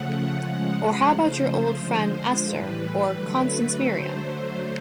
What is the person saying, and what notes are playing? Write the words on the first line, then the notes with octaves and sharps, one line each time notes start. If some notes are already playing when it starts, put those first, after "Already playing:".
Or how about your old friend Esther — or Constance Merriam?
Already playing: C#3 F3 A3 F#5
C#3 F3 G#3
C#3 F3 A3 C5
D3 F3 G#3
A2 E3 G3 B4
D3 F#3 A3
D3 F#3 A3 C5